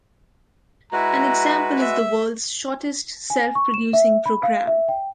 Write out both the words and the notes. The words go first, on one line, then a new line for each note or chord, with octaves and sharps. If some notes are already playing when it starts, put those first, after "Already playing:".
An example is the world's shortest self-reproducing program.
G#3 E4 F#4 B4 A#5
E5
G#5
C#6
E7
E5
B5
F5
E5
G5